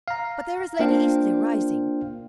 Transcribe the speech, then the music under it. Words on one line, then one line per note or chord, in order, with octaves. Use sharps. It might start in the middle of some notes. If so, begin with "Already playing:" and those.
But there is Lady Eastleigh rising.
F5 A#5
A#3 D4 F4 C5 F5 G5